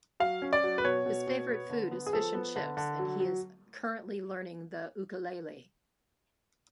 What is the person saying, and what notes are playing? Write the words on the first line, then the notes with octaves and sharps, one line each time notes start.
His favourite food is fish and chips and he is currently learning the ukulele.
F#3 F5
C#4
D5
F#3
B4
B2 C#5
B2
B2
B3
D3
B3
G#4
F3 A4
B3
D3
D3
F#3
F#3